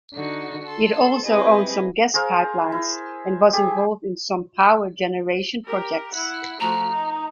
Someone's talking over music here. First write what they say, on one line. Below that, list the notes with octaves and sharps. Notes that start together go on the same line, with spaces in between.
It also owned some gas pipelines and was involved in some power generation projects.
D3 D#4 F#4
A4 C6
C4 E4 G4 G#4 B4 D#5
G#4 A#4 C5 F5
E4
G4 G#4
G4 A#4
E4 F#5
F3 A3 F#4 A#5
D#4